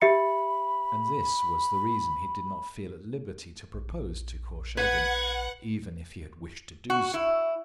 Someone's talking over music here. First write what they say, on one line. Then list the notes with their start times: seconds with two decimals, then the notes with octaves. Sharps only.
And this was the reason he did not feel at liberty to propose to Korchagin even if he had wished to do so.
0.02 G4 E5 B5 C#7
3.74 A#1
4.77 B4 F#5 G#6
6.90 F#4
7.14 E4